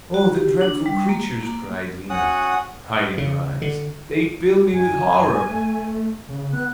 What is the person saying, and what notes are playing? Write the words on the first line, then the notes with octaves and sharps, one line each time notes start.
"Oh, the dreadful creatures!" cried Lina, hiding her eyes; "they fill me with horror!"
F#4
G4
D4
G3
A#3
A#3
C#4 F#4 F#5 D#6
C#3
D3
F#2 G#5
A3
C#3
B3 F#6